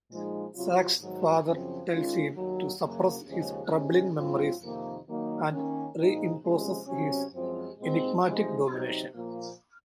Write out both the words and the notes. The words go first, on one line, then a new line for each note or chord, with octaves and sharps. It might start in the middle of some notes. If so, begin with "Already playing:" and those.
Zach's father tells him to suppress his troubling memories and re-imposes his enigmatic domination.
A#2 F3 G#3 D#4
C3 F#3 C4 F4
G#2 D#3 F#3
F#2 C#3 F3 C4
D#3 G#3 C#4 F4
D#2 D#3 F#3
F#2 C#3 F#3 A#3
D#2 C#3 F3 G#3 C#4
C3 D#3 G#3 C#4
G#2 F#3 C4 F4
F2 C3 D#3 A#3
D#3 F#3 A#3 D#4
D#3 A#3 C#4
A#2 F3 G#3 D#4
C3 F3 G#3 C#4
C3 F#3 C#4
F#2 F3 G#3 C4
A#2 G#3 C4 D#4
C3 F3 G#3 D#4
C3 F#3 C4 D#4
A#2 F3 A#3